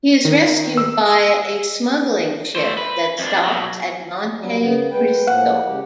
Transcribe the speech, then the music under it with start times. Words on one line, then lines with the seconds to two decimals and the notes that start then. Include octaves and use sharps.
He is rescued by a smuggling ship that stops at Monte Cristo.
0.25 D#3
0.77 E6
2.56 A3 C5
2.77 B4
3.19 F2 D4
3.45 B2 F#3
4.38 F#3 G3
4.59 C#3 B3
4.91 G#3 B4 G5
5.27 A2 F3 A#3 F#5
5.67 C#3 G#3 G4